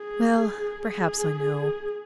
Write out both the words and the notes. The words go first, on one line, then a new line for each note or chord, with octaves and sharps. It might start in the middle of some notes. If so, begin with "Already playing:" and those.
Well, perhaps I know.
Already playing: G#4
G#4